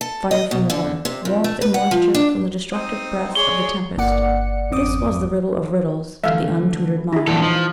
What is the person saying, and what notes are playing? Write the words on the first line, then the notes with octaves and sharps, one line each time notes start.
Fire from water, warmth and moisture from the destructive breath of the tempest, this was the riddle of riddles to the untutored mind.
A4
D#5
B2
D3
C3
F2
A3
B4
F#5
F3
D4
C4 D#4 D#6
G#3 G#4 C#5 D5 G7
G1 A#3 D5 F#5 C#7
G#1 F2 C4 D6 D#6
D3 E3 A3 E5 F5
E4 G#4
G2 A#2 E3 A4
F3 D#4